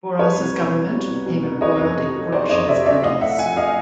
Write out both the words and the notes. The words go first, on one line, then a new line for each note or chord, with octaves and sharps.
Bourassa's government became embroiled in corruption scandals.
G3 B4 C#5
C2
B2
C2
G3
C2
B2
C2
D#3 C#5 D#5
F2
C3
F#3
D#3 C5 D5
F2 C#5 D#5
C3 D5 E5
F#3 D5 E5
A2 D#5 F5
A2 E5 F#5
F3 F#5 G#5
F3 D#5 F5